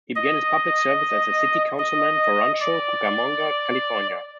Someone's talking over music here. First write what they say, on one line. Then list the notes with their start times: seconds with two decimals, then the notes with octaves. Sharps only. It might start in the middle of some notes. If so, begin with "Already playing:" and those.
He began his public service as a City Councilman for Rancho Cucamonga, California.
0.15 D#5
1.79 D#5
2.60 D5